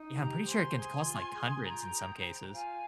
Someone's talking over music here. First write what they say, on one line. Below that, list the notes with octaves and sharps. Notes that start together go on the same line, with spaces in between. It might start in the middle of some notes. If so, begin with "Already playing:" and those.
Yeah, I'm pretty sure it can cost like hundreds in some cases.
Already playing: D#4
G4 G5 A#5
C5 G#5 C6
G#4 G#5 C6
F4
G#4
F4 G5 A#5
G#4
C5
F4 F5 G#5